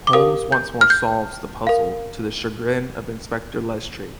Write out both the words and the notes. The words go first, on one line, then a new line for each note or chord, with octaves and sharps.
Holmes once more solves the puzzle to the chagrin of Inspector Lestrade.
D6
G4 A#4 F5 D#6
G6
F6
G6
A#4 F5